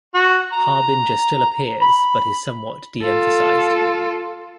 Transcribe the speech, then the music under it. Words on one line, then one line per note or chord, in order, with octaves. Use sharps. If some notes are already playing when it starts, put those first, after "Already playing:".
Harbinger still appears but is somewhat de-emphasized.
F#4
A#5
B5
F4 A4